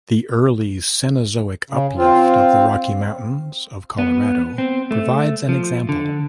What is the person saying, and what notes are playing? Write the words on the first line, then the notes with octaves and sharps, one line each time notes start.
The early Cenozoic uplift of the Rocky Mountains of Colorado provides an example.
C#3
C4 F4
B3
C4
A3
F3
D3